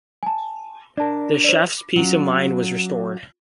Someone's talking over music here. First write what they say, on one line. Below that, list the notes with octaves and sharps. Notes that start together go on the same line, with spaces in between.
The chef's peace of mind was restored.
G#5 A5
D4 A#4 D5 A5
C5 D5
F#3 C#4 F4